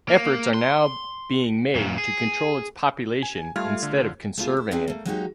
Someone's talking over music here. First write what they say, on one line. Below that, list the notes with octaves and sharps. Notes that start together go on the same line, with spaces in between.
Efforts are now being made to control its population instead of conserving it.
A#3
C6
F#2 A#2
G#4
G#5
G3 A3 F4 F6 G#6
D3
A3 B3 F4 G#4
E4
C4 E4 F4 G#4 B4 D5
A3 A#3
F#3 G#3 A#3 D#4 F#4 G4